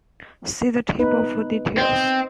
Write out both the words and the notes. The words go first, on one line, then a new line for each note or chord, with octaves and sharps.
See the table for details.
B3 D#4 B4
C4 C5 D#5